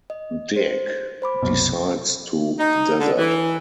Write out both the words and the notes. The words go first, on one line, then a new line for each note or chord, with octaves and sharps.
Dick decides to desert.
D#5
C5
C5 B5 D6
C2 F#2 B2
D#4
D3
E3